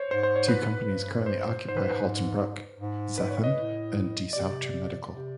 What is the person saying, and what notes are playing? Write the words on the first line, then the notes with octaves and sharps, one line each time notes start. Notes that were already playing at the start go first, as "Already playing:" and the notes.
Two companies currently occupy Halton Brook, Zethon and DeSoutter Medical.
Already playing: C5 C#5
G#2 C5
C5
C#5
B4
G2
C5
G#2 C5
B4
B4
G#2
B4
C#5
D#5
A2
C3 D5
C3